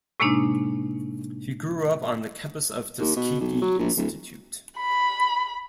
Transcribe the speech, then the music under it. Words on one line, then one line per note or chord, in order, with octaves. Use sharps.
He grew up on the campus of Tuskegee Institute.
A2 C3 G#3 A#3 D4 D#4
D#2
B2
B1
F#3
A#1
D1
B5